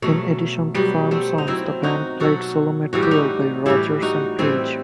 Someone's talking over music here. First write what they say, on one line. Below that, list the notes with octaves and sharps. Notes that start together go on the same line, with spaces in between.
In addition to Firm songs, the band played solo material by Rodgers and Page.
B2 F#3 A3
B2 F#3 G3 B3
A3 C4
D#4
B2 F#3 C4 E4
D#4 F#4
B2 F#3 F#4 A4
A2 E3 G3 F#4
G4
D#4 F#4
A2 E3 G3 E4 G4
D#4 F#4
A2 E3 G3 C4 E4